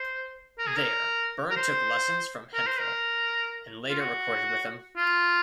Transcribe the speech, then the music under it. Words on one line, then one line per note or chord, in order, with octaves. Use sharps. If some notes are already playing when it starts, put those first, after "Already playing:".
There Berne took lessons from Hemphill, and later recorded with him.
Already playing: C5
A#4
G#4
A#4
A#4
C5
A#4
C5
A#4
F4
F#4
F4